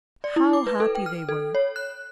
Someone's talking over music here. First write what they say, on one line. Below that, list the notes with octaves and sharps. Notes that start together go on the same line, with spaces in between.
How happy they were!
D5
E4
D6
B4
A4
G5
F6
A4
C#5
F#6